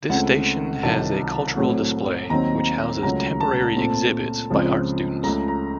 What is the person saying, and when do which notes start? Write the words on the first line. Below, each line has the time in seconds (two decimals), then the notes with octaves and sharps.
This station has a cultural display, which houses temporary exhibits by art students.
0.09 C#2 C#3 A3 C4 F#5
0.83 C2 C3 D#3 F#3 A5
1.56 A2 F#3 A3 C4
2.29 D#2 D#3 F#3 C4 A#5
3.03 C#2 C#3 F#3 A3 A#5
3.40 A5
3.77 A#2 A3 C4
4.50 C#2 C#3 F3 C4
5.23 C#2 C#3 A3 A#5
5.48 A#5